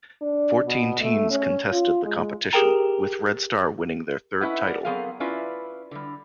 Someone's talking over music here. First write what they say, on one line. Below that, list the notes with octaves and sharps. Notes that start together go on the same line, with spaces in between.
Fourteen teams contested the competition, with Red Star winning their third title.
D4
B2
A3
C#4
F4
G#3
G4 G#4 A#4 G5 A#5
C#4 E4 B4 D#5 F#5
A#4 D5 F#5
F#3 B3 C4 G#4 A#4 F5
C#4 E4 F4 B4 D5
D3 G3